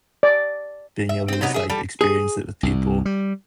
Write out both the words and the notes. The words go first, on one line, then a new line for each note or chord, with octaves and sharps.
being able to just like experience it with people,
D5
E5
C4 C5
C3 F#3 B3 D#4
G#4 E5
G3 A4
G#4
C2
G3